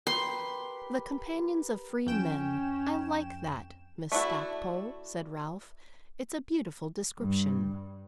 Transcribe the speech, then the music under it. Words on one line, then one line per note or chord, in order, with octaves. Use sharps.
"The companions of freemen--I like that, Miss Stackpole," said Ralph. "It's a beautiful description."
G4 A#4 B4 C6
F2 C#4 G5 E7
A3 D4 E4 F#4
G2